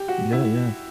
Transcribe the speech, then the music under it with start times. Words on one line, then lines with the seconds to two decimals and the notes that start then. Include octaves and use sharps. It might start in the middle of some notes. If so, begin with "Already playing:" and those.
Yeah. Yeah.
Already playing: G4
0.08 F#4
0.32 E4